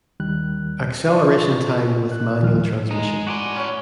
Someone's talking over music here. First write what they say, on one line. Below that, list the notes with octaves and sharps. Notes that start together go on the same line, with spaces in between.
Acceleration time with manual transmission.
D#2 D#3 G3 F#6
F4 D5 C6 C#6 D#6
F#6
D#2 D#3 F3 G#3 E4 F6
G#3 D#4
A2 F#4 D5 G#5 C6
C#4 C#5 F#5